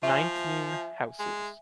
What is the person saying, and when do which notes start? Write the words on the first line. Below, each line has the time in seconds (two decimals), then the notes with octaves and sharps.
Nineteen houses.
0.03 F3 E5 G#5
1.19 G#3